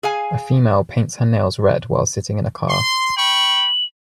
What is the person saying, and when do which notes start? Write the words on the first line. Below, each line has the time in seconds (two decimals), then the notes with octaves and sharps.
A female paints her nails red while sitting in a car.
0.03 G#4 F5 G#5
2.69 C6
3.17 G5 B5 C#6 F#7